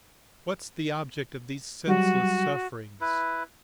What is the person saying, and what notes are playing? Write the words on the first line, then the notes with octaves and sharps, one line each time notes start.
What's the object of these senseless sufferings?
F#3 G3 F#4
E4 B4